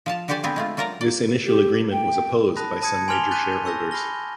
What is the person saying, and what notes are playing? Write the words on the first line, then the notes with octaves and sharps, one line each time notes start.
This initial agreement was opposed by some major shareholders.
F3 F5 A5
D3 F#4 G4 C5 D5 G#5
B3 C4 D4 G4 G#4 B4
G#3 A3 F4
F#3 F4 A#4 D5 A#5
D5
G4
G5
A5 B5 D#6 F#6 A#6
A5 D#6 G#6 C#7
G#5 C6 D6 F6 F7 G7
C#6 F#6 G6 A6 B6 D#7
C#6 E6 G6 A#6
B5 F6 A#6 G7